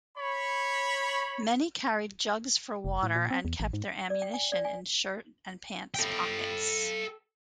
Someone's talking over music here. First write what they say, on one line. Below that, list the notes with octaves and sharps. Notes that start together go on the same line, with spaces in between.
Many carried jugs for water and kept their ammunition in shirt and pants pockets.
C#5 B5
F1
A2
A#2
C4
E2
A1
G#2
D5
G5
G#5
D5
G#5
A4 G5